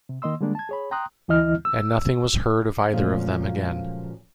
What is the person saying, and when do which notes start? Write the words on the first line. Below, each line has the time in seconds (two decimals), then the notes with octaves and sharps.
And nothing was heard of either of them again.
0.09 C3
0.22 D#3 A#3 D#5 C6 E6
0.41 D3 G3 G#3 A#3 D4
0.55 A5 G#6
0.69 G#4 C#5 B5
0.91 G5 A#5 C6 D#6 F#6
1.28 D2 E3 E4 D#5 F6
1.65 E6
2.93 A#2 C#3 F3 F#3 G#3 A3